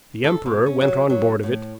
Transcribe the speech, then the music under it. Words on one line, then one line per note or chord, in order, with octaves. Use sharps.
The emperor went on board of it.
A4
B2
C#4
F#3
F#3
A2